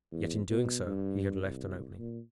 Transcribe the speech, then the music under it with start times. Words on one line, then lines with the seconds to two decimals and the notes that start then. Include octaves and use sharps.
Yet, in doing so, he had left an opening.
0.11 E2
0.50 B2
0.86 G2
1.43 C2
1.98 A#2